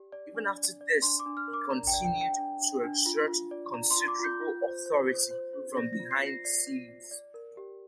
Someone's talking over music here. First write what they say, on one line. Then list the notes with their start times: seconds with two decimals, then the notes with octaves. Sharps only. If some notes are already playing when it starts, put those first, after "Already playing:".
Even after this, he continued to exert considerable authority from behind the scenes.
Already playing: G4 D5
0.12 D5
0.35 D4
0.58 D5
0.81 D5
1.02 D4 C6
1.19 D6
1.26 D4
1.37 F6
1.48 A#4
1.54 D6
1.71 D5 A#5
1.87 G5
1.94 D5
2.05 G5
2.15 D4
2.21 G5
2.38 D4
2.61 D4
2.84 D4
3.06 F4
3.28 F4
3.51 D5
3.74 D5 A#5
3.91 C6
3.96 F4
4.08 D6
4.19 F4
4.24 G6
4.41 F4
4.63 C5
4.86 C5
5.08 C5
5.31 C5
5.53 C5
5.76 D5 A#6
5.93 A#6
6.00 F4
6.11 C7
6.21 F4
6.27 A#6
6.44 D5 C7
6.67 D5
6.89 D5
7.11 D5
7.34 A#4
7.57 G4